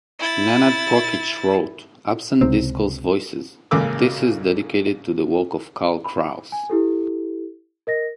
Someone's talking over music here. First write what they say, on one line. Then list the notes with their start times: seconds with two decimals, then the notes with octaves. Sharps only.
Nenad Prokic wrote "Absent Discourse Voices" thesis dedicated to the work of Karl Kraus.
0.19 E4 A6
2.41 C#2 C3 C4
3.71 A1 C#3 G#3 A#3 D6 E6
6.04 B5
6.52 G#5
6.70 E4 G4 A4
7.87 A#4 D#5 A#6